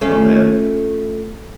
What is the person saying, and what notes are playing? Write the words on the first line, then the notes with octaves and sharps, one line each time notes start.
Aw, man.
A3 C#4 F4